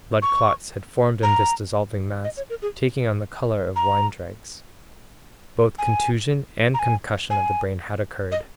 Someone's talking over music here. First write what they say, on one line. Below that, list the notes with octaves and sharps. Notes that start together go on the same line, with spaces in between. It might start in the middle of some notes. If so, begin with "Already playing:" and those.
Blood clots had formed in this dissolving mass, taking on the color of wine dregs. Both contusion and concussion of the brain had occurred.
C#6
A#5
D#5
C#5
A#4
G#4
A#5
G#5
A#5
G#5
G#5
D#5